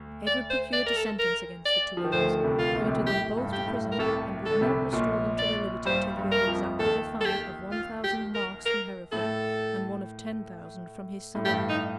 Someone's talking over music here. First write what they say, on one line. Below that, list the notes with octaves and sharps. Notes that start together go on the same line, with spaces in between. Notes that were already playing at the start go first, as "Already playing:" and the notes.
Edward procured a sentence against the two earls, committed them both to prison, and would not restore them to their liberty, till he had exacted a fine of one thousand marks from Hereford, and one of ten thousand from his son-in-law.
Already playing: D2
D5
C5
D5
A#4
A4
A#4
D5
F3
D#3
D2 D3 C5
D3
C2 C3
F4
A#1 A#2
C3
A#2
A2 G4
G2
G4
A2
A#4
C2 C3 A4
D3 A4
C2 C3
A#1 A#2
D5
G2 G3 C5
G2 G3
A#4
F2 F3
D#2 D#3 A4
A4
G4
F4
G4
A#4
A#4
A2 A4
A2
G2 G4
D#4